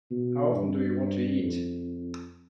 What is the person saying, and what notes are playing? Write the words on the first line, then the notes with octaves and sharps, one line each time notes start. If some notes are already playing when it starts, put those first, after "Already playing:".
How often do you want to eat?
B2
G2
F2